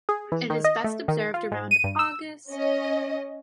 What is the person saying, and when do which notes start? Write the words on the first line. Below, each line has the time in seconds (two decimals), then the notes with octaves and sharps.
It is best observed around August.
0.09 G#4
0.32 E3
0.50 D#3
0.64 D#5
0.84 A3
1.08 D#3
1.34 F4
1.51 G#2
1.71 D#7
1.84 G2
1.99 E6
2.51 C#4 D#5